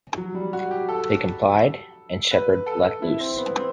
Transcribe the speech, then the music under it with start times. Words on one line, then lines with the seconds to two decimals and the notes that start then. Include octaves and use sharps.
They complied and Shepard let loose.
0.18 F#3
0.35 G3
0.53 F#4
0.71 G4
0.89 A4
2.31 B4
2.66 A4
3.02 E4
3.20 C4
3.37 B3
3.55 C4